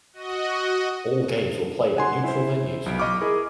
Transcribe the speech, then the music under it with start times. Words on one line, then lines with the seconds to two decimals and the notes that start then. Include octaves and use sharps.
All games were played at neutral venues.
0.13 F#4 D#5
1.97 F#5 G#5 C6
2.24 E4 C5
2.86 B1 D7
2.99 D#5 B5 C#6 D6 F6
3.21 E4 G#4 A#4